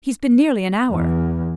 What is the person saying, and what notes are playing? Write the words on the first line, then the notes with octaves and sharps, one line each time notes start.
He's been nearly an hour.
E2